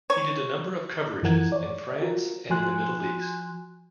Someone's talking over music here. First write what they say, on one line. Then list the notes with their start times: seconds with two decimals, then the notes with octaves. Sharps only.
He did a number of coverages in France and in the Middle East.
0.10 C#5
1.22 F#2 E3 F3 A#4 F#5 G#6
1.52 C#5 D5
2.01 F4 F#4 A#4
2.50 F3 F#4 G#5 C6 F#6